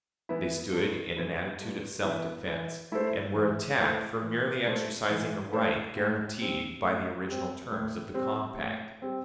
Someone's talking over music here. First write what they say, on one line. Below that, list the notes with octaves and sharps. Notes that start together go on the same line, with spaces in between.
They stood in an attitude of self-defense, and were attacked for merely exercising a right guaranteed by the original terms of the compact.
E3 B3 E4
G2
E3 B3 E4
G2
E3 B3 E4
E3
A3 E4 A4 C5
E3
A3 E4 A4 C5
E3
A3 E4 A4 C5
E3
A3 E4 A4 C5
A2
G3 C4
A2
G3 C4
A2
G3 C4
A2
G3 C4